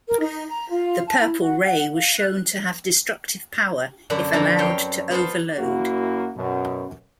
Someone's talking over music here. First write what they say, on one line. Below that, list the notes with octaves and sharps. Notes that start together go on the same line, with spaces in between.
The Purple Ray was shown to have destructive power if allowed to overload.
A#4
D#4
A#5
F4
A5
E4
F#4
F#5
F5
F#6
F#2 D3 D4 B5
F2 D3 E4 A4 B4 A#5
F#2 C#5 F5 G5
B3 F4 A4 C5 A5
F#2 F#3 A#3 E4 F#4
F#2 B2